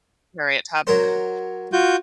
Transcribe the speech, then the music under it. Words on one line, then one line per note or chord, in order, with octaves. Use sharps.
Harriet Tubman.
F#3 A#4 C5
F4 F#4 G6